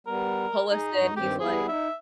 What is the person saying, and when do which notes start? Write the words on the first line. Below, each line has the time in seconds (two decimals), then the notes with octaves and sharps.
pull us in. He's like
0.07 G3 B3 A#4
0.71 D#4 G#4
0.91 G2 F#4
1.16 G2 D#3 C4 G4
1.40 G3 B3 E4 G#4
1.68 D#4 E5